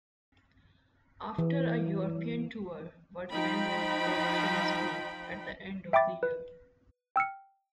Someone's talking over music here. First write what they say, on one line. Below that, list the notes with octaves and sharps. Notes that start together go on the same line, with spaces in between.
After a European tour, Workman left Coltrane's group at the end of the year.
E3
F3 D#4 F4 G5 B5
E5 G5 B5 D6 A6
B4
G5 E6 F6 C#7